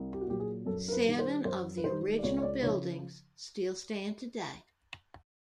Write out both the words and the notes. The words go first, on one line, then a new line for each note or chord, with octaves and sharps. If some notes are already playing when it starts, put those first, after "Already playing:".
Seven of the original buildings still stand today.
Already playing: C2
G4
F#4
A#2 F#3 G4
G#4
F#2 A4
A#4
B4
D#3 G3
C5
F#2 C5
B4
D#3 G3 C5
D5
C#2 C#5
C#5
D5
C#3 F3 C#5